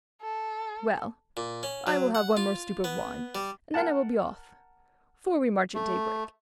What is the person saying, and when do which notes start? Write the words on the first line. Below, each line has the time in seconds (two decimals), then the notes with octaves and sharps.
"Well, I will have one more stoup of wine, and then I will be off, for we march at daybreak."
0.21 A4
1.37 A#2
1.63 C#4
1.87 F#3
2.15 F#5
2.37 F4
2.84 B3
3.35 G3
3.74 A#4 F#5 A5
5.75 A3